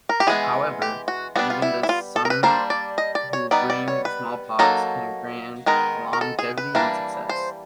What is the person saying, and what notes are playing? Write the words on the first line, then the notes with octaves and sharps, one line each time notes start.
However, even the Sonnimne, who bring smallpox, can grant longevity and success.
A#4
G4
E3 G#3 B3 G#4
G4
F#4
G3 B3 D4 F#4
F4
E4
E4
F4
A4
A#4
B4
G3 A#3 D4 C5
D5
D#5
D5
C#5
G3 B3 D#4 D5
D5
C#5
B4
F#3 A#3 D#4 A4
D#3 G#3 B3 D#4 A#4
A#4
A4
G#4
B4
E3 G3 A#3 D4
C5